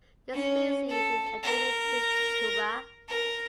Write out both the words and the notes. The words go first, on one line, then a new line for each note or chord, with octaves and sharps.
The species is endemic to Cuba.
C#4
A4
A#4
A#4